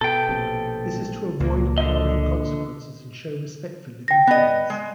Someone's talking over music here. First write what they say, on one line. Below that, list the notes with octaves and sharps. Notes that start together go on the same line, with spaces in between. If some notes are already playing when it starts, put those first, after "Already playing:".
This is to avoid karmic consequences and show respect for living things.
B2 A4 G5
A#1 C3
C#2 A#2 A#3
D3 D#5
G5 A#6
B3 D#5
G#3